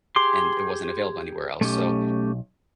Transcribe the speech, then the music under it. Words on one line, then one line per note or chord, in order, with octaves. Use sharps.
and it wasn't available anywhere else. So,
G4 G#4 C6 D6
B1 A3 C#4 G4